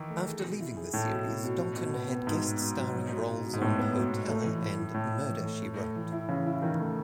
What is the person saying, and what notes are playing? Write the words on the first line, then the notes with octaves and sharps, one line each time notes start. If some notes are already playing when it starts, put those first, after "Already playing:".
After leaving the series, Dalton had guest-starring roles on "Hotel" and "Murder, She Wrote".
Already playing: D#3 E3
A3
G#4
B2
E4
G#4
A2 A3
B2
E4
B2
B2
B2
B3
B3
G#2 B2
B3
B2
F#3
F#3
B2
B2
B2
G#2
A2 B3
B3
B2
B2
A3
E3
E3
E4
A2 E4
E4
E3
A3
E4
A3
E3
E4
C#3 E3
E4
D#3 E3
A3